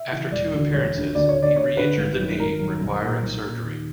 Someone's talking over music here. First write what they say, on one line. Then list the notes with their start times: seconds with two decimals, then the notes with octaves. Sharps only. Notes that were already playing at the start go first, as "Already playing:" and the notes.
After two appearances, he reinjured the knee, requiring surgery.
Already playing: E5
0.11 C#3 E3
0.32 E1 D5
0.53 D2 D3
0.74 E1 C#5
0.94 D2 D3
1.15 D2 D5
1.29 C#5
1.36 D3
1.42 D5
1.56 D2 C#5
1.77 D3 B4
1.98 G#1
2.18 F#2 D#3
2.39 G#1 A#4
2.60 F#2 D#3
2.81 B1
3.01 A#2
3.22 B1
3.42 A#2
3.63 D#2